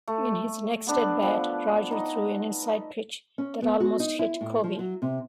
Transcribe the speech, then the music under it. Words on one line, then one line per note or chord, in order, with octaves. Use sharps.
In his next at-bat, Roger threw an inside pitch that almost hit Koby.
A3
B3 D4 B4
F3 B3
D#4 D#5
C#4
B3
F#4
D#4
E4
A2
F3
F#3
C3